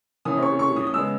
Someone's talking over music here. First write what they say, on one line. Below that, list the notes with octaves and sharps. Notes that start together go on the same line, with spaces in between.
"How are you, Eve?"
E3 A#3 C#4 D#6
C#6
C#6
D#6
D#6
C#3 G#3 B3 E6